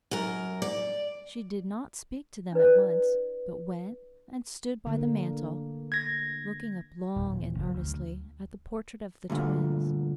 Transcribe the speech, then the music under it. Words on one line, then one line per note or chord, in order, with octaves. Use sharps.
She did not speak to them at once, but went and stood by the mantel, looking up long and earnestly at the portrait of the twins.
F#2 A#4
D5
D4 E4 B4 D5
D3 A#3
G#6 A#6
D#1
F#1
D2
D2 G2 A#2 D3